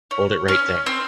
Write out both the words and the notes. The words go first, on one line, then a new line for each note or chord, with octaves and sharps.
Hold it right there!
C#4
C#4
C4